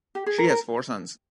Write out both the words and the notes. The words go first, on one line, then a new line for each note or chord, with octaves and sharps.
She has four sons.
G4
G#4
A#4
A#4